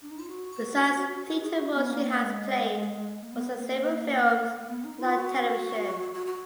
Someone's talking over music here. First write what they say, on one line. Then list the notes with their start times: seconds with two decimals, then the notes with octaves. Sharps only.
Besides theatre roles she has played also in several films and on television.
0.02 D4
0.11 D#4
0.19 F4
0.27 F#4
1.25 F#4
1.42 G#4
1.58 F#4
1.74 B3
1.90 A#3
2.06 A#3
2.23 G#3
3.21 A#3
3.33 B3
3.58 A#3
3.70 A#3
4.60 A#3
4.67 B3
4.84 D#4
5.00 F4
5.17 F#4
6.14 F#4
6.26 F#4